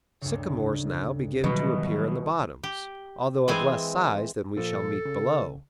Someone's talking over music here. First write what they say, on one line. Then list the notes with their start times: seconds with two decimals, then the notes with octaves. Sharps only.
Sycamores now begin to appear in the bottoms, although of less size than we shall meet below.
0.21 D2 G2 C#3
1.44 B2 D#3 E3 F#3 G3
2.64 G4
3.48 E3 G#3 C4 C5 F5 G#5
4.57 A#2 F3 A4
5.05 C#3